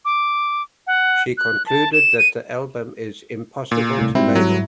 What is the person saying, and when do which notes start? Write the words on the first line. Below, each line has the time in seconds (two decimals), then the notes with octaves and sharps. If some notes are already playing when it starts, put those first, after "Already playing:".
She concluded that the album is "impossible to label".
0.05 D6
0.87 F#5
1.38 F#6
1.66 A5
1.93 E7
2.18 D#7
3.71 A#2
3.98 C2 A2
4.15 G#2 G3 C4 E4
4.36 F#3